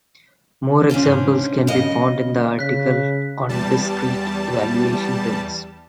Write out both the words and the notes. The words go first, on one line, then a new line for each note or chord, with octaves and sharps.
More examples can be found in the article on discrete valuation rings.
G#2 C#3 C#4 D4
C#3 D#5
C#3 F#6 B6
E2 G3 A5